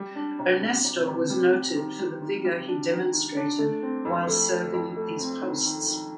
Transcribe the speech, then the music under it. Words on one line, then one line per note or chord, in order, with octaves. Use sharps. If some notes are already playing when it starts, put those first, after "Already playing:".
Ernesto was noted for the vigour he demonstrated while serving these posts.
Already playing: G3
D4
C3
G3
C3
C3
G3
G3
D#3
G3
D#3
G3
D4
D#3
D#3
D4
A3
C4
F2
A3
A3
F2
A3
C4
D#3
D#3
D#3